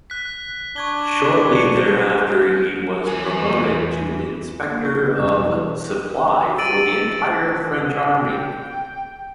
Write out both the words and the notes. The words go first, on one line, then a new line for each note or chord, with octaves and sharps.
Shortly thereafter he was promoted to Inspector of Supply for the entire French army.
F#6 B6
D4 C#6 G#6 G7
E2 B4 G#5
A#3
C#6
B3
E1
E2
E6 A6 D7 D#7 F#7
G5